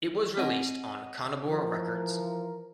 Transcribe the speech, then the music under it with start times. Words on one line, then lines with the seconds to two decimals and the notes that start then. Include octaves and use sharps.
It was released on Conabor Records.
0.37 C4 C#5 D#5 F#5 A#6 D#7
1.48 E3 F3 A#4